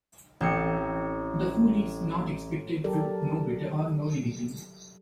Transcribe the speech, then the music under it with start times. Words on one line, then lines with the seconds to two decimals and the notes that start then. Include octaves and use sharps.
The fool is not expected to "know better" or "know" anything.
0.41 A1 C4 C#7
2.84 F#3 G4 A4 A#4 D5